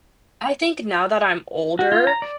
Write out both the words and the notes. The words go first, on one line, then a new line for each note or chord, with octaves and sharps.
I think now that I'm older,
F#4
F4
A#5
D5